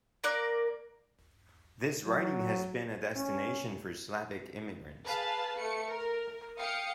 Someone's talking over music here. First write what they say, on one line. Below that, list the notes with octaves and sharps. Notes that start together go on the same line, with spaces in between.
This riding has been a destination for Slavic immigrants.
A#3 A#4 D5 F#6
F#3
C#4
G#4 B4 F5 A5
A3 C#7
A#4
F5 G5 D#6 C#7